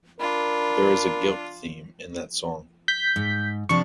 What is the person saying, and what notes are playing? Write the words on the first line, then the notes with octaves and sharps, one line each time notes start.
There is a guilt theme in that song.
D4 F4 A#4 B5
G6 B6
G#2
C3 F3 D4 C#6